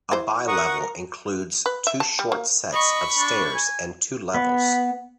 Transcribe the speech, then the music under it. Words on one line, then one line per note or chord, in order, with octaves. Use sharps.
A bi-level includes two short sets of stairs and two levels.
E3 C5
A#4 F#5 C#6 D#6
B4
E5
A5
G3
A#3
D#5 B5 C#6
D4
G#5
B3